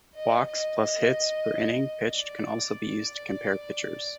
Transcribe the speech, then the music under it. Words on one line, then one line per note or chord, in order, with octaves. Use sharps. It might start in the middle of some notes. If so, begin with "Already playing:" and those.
Walks plus hits per inning pitched can also be used to compare pitchers.
D#5
D#5
D5